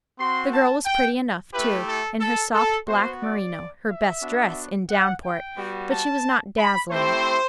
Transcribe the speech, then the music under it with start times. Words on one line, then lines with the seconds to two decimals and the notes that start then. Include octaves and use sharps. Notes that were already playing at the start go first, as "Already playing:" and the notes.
The girl was pretty enough, too, in her soft, black merino--her "best" dress in Downport--but she was not dazzling.
0.19 C4 F#4 C6
0.52 A5
0.86 G5
1.53 A3 E4 G4 B4
1.87 A4
2.21 A4
2.54 A4
2.87 B3 F#4 C5
3.21 D5
3.89 E5
4.22 B3 D4 F#4
4.90 F#5
5.23 G5
5.57 G3 B3 F#4
5.90 A5
6.58 B5
6.90 A3 C4 E4 G4 C5